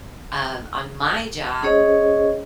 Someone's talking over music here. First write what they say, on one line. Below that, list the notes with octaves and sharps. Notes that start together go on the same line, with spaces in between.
Um, on my job
C#4 G#4 C5 C#5 D#5